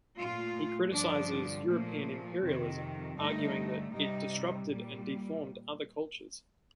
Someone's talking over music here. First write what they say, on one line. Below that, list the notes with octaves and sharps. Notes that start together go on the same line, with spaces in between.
He criticizes European imperialism, arguing that it disrupted and deformed other cultures.
A#2 A3 F4
G2 D3 F3 D4
A#2 F3 A3 A#3
F2 C3 D#3
G2 D3 A3 D#4
C3 G3 D#4
A#2 G3